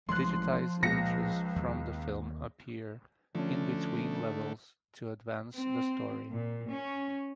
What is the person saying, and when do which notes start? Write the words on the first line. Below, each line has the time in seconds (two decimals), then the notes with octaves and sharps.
Digitized images from the film appear in between levels to advance the story.
0.09 A1 E3 F3 G#3 C6 F#6
0.83 C#2 A#2 A#6 C#7
1.56 D#2
3.35 D3 F3 A3 C#4
5.53 C4
6.32 A#2
6.68 C#4